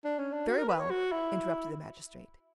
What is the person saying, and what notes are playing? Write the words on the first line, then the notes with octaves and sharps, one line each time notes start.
"Very well!" interrupted the magistrate.
D4
C#4
D4
F#4
A#4
B4
C#5
F#4
E4